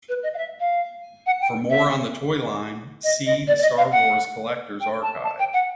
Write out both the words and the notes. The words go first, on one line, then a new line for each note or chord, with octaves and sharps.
For more on the toy line, see The Star Wars Collector's Archive.
B4
D#5
F5
E5
F5
F#5
G5
E5
D#5
D#5
D5
D5
D#5
F5
F#5
G5
A5
A5
G5
F#5